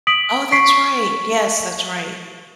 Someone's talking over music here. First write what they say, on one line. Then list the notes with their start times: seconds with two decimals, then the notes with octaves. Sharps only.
Oh, that's right, yes, that's right.
0.07 D#6 B6 D7 F#7
0.52 C#6 B6 C7 D7